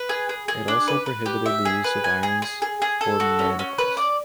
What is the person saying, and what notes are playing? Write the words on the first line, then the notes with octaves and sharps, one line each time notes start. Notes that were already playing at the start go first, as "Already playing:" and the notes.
It also prohibited the use of irons or manacles.
Already playing: B4
G#4
G#4
G#4
D4
B4
B4
G4
E5
G#4
B4
G#5
G#4
G#4
G#4
G#4
A4
F#4
C#4
C#4
B4
D5